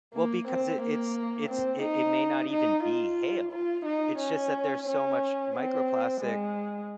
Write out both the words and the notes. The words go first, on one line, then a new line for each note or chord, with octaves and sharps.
well, because it it's it's it it may not even be hail. It's just that there's so much microplastic
A#3
C4
A#3
C4
D#4
D#4
F4
F4
D#4
C#4
C#4
C4
G#3